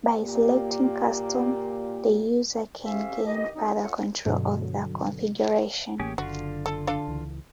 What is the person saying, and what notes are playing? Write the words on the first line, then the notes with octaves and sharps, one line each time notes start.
By selecting Custom, the user can gain further control of the configuration.
A#2 A#3 G4
A3 C4 C#4 G4 E5 F5
D#3 E3 G4 D#5
F#2 C4 D#4
A3 C#4 F4 A4 F#5
G2 B2 D3 F#3
A1 A#3 C#4 G4 G#4
F#1 D3 F4 F#4
A4
D4 A4 F5
C#2 E3